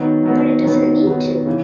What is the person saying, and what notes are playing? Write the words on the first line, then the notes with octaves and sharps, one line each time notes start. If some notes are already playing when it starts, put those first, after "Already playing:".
But it doesn’t need to.
Already playing: D#3 F#3 B3
D#3 F#3 B3
D#3 F#3 B3
D#3 F#3 B3
C#3 E3